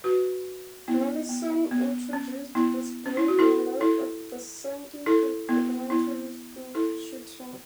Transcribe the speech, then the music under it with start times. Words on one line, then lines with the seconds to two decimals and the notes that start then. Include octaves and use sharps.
Matheson introduced this bill in light of the Sandy Hook Elementary School shooting.
0.04 F#4 B4
0.88 B3 E4
1.29 B3
1.71 B3
2.13 C#4
2.55 B3 E4
3.06 C#4
3.17 E4
3.28 F#4
3.39 E4 A4
3.81 E4 A4
5.06 E4 A4
5.49 B3 E4
5.90 B3 E4
6.75 E4 A4